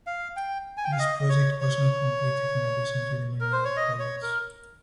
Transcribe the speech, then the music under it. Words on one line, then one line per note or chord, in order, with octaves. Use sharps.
This project was not completed in addition to the many other projects.
F5
G5
G#5
G5
F5
D#5
D#5
C#5
C#5
A#4
C5
C#5
D#5
C#5
A#4